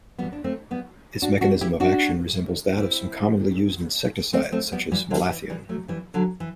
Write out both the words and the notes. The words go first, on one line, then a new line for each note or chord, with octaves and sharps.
Its mechanism of action resembles that of some commonly used insecticides, such as malathion.
G3 B3
D4
A3 C4
G3 B3
D4 F#4
D4 F#4
E4 G4
D4 F#4
C4 E4
A3 C4
A3 C4
G3 B3
E3 G3
D3 F#3
E3
E3 G3
F#3 A3
E3 G3
D3 F#3
E3